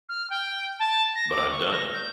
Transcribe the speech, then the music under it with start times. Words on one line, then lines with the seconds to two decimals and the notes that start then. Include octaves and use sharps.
But I'm done.
0.09 F6
0.30 G5
0.79 A5
1.15 A#6
1.29 D6
1.51 C#6
1.71 A#6
1.93 G6